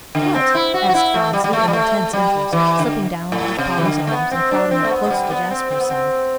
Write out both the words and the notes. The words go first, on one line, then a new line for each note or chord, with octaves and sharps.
"What?" asked Phronsie in intense interest slipping down out of Polly's arms, and crowding up close to Jasper's side.
D3
C4
E4
F#4
F#4
E4
A3
G3
G3
A3
G3
A3
G3
E3
D3
A2
C3
E3
D3
A3
B3
C4
D4
C4
A3
B3
A3
G3
A3
B3
C4
C4
B3
C4